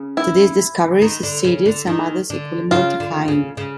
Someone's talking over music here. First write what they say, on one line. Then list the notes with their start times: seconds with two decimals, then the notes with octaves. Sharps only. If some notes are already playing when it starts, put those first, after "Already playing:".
To this discovery succeeded some others equally mortifying.
Already playing: C#3
0.17 E4
1.02 D#3
1.23 D3
1.44 C#3
1.66 D3
1.87 D#3
2.30 D3
2.71 C#3 F4
3.00 D3
3.28 C#3
3.57 C#3